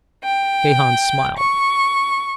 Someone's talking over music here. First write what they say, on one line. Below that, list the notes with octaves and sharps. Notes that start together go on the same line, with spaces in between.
Gahan smiled.
G5
C#6